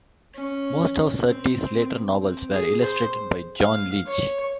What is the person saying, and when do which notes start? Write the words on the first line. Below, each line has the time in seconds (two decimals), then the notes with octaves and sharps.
Most of Surtees's later novels, were illustrated by John Leech.
0.35 C#4
1.28 C4
1.60 C4
2.21 C4
2.52 G#4
2.83 C5
3.60 F5
4.07 C#5